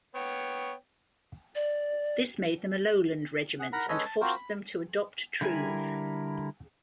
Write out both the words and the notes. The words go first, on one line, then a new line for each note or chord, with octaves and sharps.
This made them a Lowland Regiment and forced them to adopt trews.
B3 C#5 G5
D5
G#4 F#5
A#4 F#5 A#5 B5
G#3 C#4 A4 B4 C#5 D#5
A5
C4 F4 F#4 A#4 C5
B5
D3 G3 E4 A#4 G#5